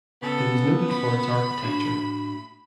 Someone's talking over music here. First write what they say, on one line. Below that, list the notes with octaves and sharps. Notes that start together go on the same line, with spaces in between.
It is noted for its architecture.
C#3 B3 A4
B5
A2 D4 F#4